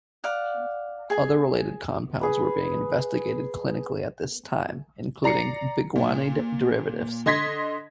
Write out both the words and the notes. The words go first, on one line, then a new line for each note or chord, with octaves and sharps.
Other related compounds were being investigated clinically at this time, including biguanide derivatives.
D5 F5 F#5
G#4 G#5
G#4 B4
D5 A#5 C7 C#7
A#2
D3 D#5 C6 G#6 A#6 B6